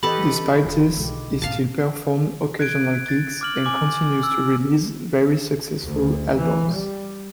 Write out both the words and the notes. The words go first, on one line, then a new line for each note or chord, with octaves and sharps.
Despite this, he still performed occasional gigs and continues to release very successful albums.
E3 G4 A4 B4 D#5 A5 B5 F#7
D#1 D3 F4
B1 G#3 G4
G#2 B2 F5 A5
F#6 G#6 D7
A6
D6 F6 F#7
G#5 D6 F6 F#7
E6
D2
E3
G3